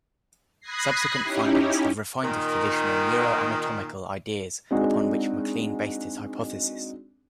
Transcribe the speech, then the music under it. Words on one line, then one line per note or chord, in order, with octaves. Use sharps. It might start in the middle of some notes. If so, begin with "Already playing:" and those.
Subsequent findings have refined the traditional neuroanatomical ideas upon which MacLean based his hypothesis.
B5 D#6 F#6 G#6 A#6 C7
C#4 D#4 E4 G4
A#2 D#3
G#3 C4 D4 D#4 F#4 G#4